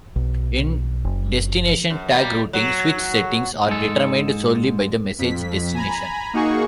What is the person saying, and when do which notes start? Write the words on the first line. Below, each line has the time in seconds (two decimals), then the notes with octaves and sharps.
In destination-tag routing, switch settings are determined solely by the message destination.
0.16 B1
1.05 F#1
1.90 F#2
2.10 G3 A#3
2.53 F#3
3.67 G#2 G#3 A4
5.19 F2 B6
5.75 G#5 A#5 B5
6.33 A#3 D#4 F#4 G#4 C#6